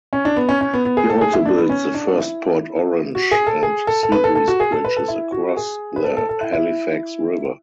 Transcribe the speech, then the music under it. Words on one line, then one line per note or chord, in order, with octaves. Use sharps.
He also built the first Port Orange and Seabreeze bridges across the Halifax River.
C#4
D4
B3
C#4
C#4
B3
B3
G#4
A4
G#4
E4
D4
B3
C#4
D4
E4
F#4
G#4
A4
G#4
A4
A4
B4
A4
A4
F#4
G#4
A4
B4
A4
E4
F#4
G#4
B4
A4
A4
A4
E4
E4